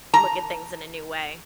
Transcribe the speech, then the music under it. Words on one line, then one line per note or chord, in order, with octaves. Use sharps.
look at things in a new way."
A#5